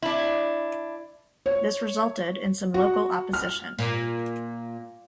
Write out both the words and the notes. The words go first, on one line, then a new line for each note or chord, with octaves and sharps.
This resulted in some local opposition.
D4 E4
C#5
F#4
F6
A#2